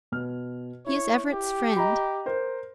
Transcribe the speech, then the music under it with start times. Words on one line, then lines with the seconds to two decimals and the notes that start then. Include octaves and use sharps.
He is Everett's friend.
0.12 B2 F6
0.86 E4 C#5
1.33 G4
1.76 D#5 A#5 B5
2.26 A#4 C5